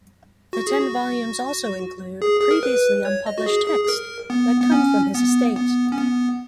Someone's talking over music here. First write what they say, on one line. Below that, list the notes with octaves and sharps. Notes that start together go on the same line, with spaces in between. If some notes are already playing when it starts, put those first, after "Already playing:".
The ten volumes also include previously unpublished texts that come from his estate.
F#4
G#4
F#4
G#4
G#4
A#4
B4
C#5
D#5
F#4
G#4
G#4
G#4
A#4
B3
B3
C#4
B3
B3
C#4
B3